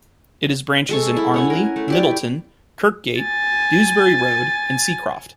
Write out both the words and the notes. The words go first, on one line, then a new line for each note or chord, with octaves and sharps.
It has branches in Armley, Middleton, Kirkgate, Dewsbury Road and Seacroft.
G#3 A4 C#6
E4
C#4 F#5 G#5
A#4
A3
E4 G4 D5
G#5 A6